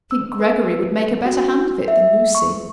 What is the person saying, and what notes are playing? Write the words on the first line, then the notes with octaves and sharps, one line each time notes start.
"I think Gregory would make a better hand of it than Lucy."
E6
B4
F#4
E5
C#6